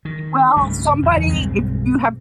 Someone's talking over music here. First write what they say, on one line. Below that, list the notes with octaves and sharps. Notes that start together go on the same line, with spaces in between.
Well, somebody if you have
D#3
C2 G2 C#3 A3
F#1 E2 E3
B1 G2 G#3 C4